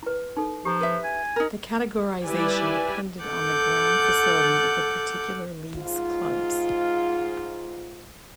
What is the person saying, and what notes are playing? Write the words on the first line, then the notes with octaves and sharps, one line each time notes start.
The categorisation depended on the ground facilities of the particular league's clubs.
E4 B4
D#4 A4
F3 G4 A#5
B4 E5
G#5
D#4 A#4
G3 E4 G4 B4 D5 G#5
A4 F#5 D6 G6
G#2 F4